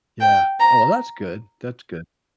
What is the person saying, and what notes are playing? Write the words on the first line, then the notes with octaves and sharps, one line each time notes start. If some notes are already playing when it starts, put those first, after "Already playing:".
Yeah, oh well, that's good, that's good.
G5
A#5